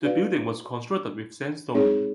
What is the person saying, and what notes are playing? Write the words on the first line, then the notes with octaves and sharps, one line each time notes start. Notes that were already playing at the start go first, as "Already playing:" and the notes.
The building was constructed with sandstone.
D#4 F#4 B4 D5 F5
G#3 C4 D#4 G#4 C#5